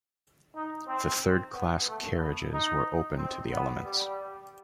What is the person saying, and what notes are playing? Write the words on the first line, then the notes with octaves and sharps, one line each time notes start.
The third class carriages were open to the elements.
D#4
C4
B3
A3
B3
D#4
C4
B3
G3